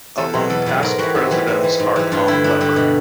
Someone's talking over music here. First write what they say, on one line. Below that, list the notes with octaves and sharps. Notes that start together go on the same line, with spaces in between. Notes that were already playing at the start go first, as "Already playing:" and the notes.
Among past presidents are Tom Leppard.
E2 A4
B2 F#3
E2 A4
B2 F#3
G#2 A#4
E3 G3 F#4
G#2
E3 G3
G#2
E3 G3
G#2
E3 G3
G2 F4
D3 G3 E4
G2 D4
D3 G3
B2